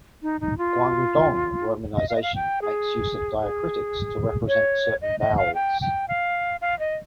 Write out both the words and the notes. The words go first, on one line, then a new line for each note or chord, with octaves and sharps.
Guangdong romanization makes use of diacritics to represent certain vowels.
D#4
D#4
F4
D#5
F5
D#5
F5
G5
G#4
G#4
C#5
D#5
D#5
F5
G5
G5
F5
F5
D#5